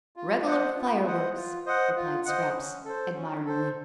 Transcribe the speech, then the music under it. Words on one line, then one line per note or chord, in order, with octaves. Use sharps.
"Reg'lar fireworks," replied Scraps, admiringly.
F4
C5 D#5 F#5
F4
C5 D#5 F#5
F4
C5 D#5 F#5
F4
C5 D#5 F#5
C#4
A4 C5
C#4
A4 C5